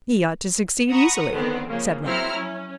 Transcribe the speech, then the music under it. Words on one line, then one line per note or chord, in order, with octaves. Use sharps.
"He ought to succeed easily," said Ralph.
F#5 A#5 B5 C#6 D#6
D3 D#3 B3 C4
C#3 F3 A#3
F#3 C4 E4 A#5 F6
C#4